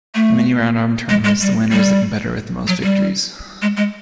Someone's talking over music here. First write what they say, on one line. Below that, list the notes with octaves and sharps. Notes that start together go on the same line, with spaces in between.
In many round-robin tournaments, the winner is the competitor with the most victories.
A3
G#3
G#3
G3
G3
F#3
G3
G#3
G#3